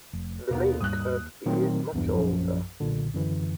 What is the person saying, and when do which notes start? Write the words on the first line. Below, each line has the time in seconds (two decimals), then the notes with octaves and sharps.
The name Kirkby is much older.
0.13 F1
0.51 D#2 B2 A#3 B3 A#4
0.81 G#2 G3 D#6 F#6
1.46 A#2 D#3 F#3 A3 C4
1.93 B1 E2 G2
2.14 A#1 F#2 F3
2.80 B1 A#2 D3
3.14 F#2 D3 E3